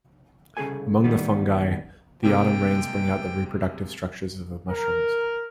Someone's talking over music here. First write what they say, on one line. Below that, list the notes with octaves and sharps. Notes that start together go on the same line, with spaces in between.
Among the fungi, the autumn rains bring out the reproductive structures of the mushrooms.
C2 C#3 C4 G#4 A4 G#5
A2 D#3 G3 A#3 B3
C3 G#3 A#3 G5
A#4